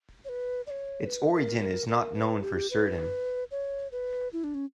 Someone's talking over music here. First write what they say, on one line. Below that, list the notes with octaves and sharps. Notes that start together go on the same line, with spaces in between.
Its origin is not known for certain.
C#5
B4
D5
C#5
B4
A#4
A#4
A#4
B4
G4
B4
C#5
B4
E4
D4
C#4